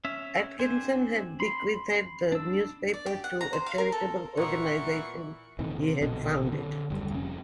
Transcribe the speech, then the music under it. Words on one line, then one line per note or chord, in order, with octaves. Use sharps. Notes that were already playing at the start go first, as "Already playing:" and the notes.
Atkinson had bequeathed the newspaper to a charitable organization he had founded.
C#4 E5
C4 D4 C5 G#5
B5 C6
D4 E6
D5
G4
F#5
A#5
C5
F5
A#4
A4
A#2 E3 B3 A#4 C#6
A2 C3 D#3 E3
C3
A#1 B2 D3
D3 C#4
F#1 D2 G3
F1 C#4